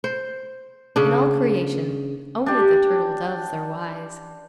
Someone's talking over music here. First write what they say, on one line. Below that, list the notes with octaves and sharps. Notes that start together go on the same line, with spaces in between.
In all creation, only the turtle-doves are wise.
C5
C#3 D4
D4 G4